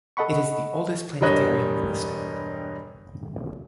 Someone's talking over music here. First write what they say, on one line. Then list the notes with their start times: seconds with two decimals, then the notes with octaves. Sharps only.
It is the oldest planetarium in the state.
0.17 A4 D#5 F#5 B5 C#6
1.21 E1 G2 G3 C#5 D#5 F#6